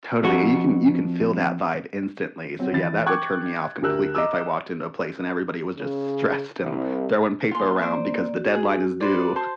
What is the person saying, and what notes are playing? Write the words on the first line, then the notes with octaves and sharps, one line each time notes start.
Totally, you can you can feel that vibe instantly, so, yeah, that would turn me off completely if I walked into a place and everybody was just stressed, and throwing paper around because the deadline is due.
F2 F#4
F#3 C4
E3 A6
G5 C#6 D6 F#6 G#6
D2 G4 A#4 E6 F#6
D#5 A#5 D6 E6
C#3
C2
A#3 F4 G#5 C6
A#3 C5 D5
F#4
G#4
B4 C5 D5
C5 A5 C6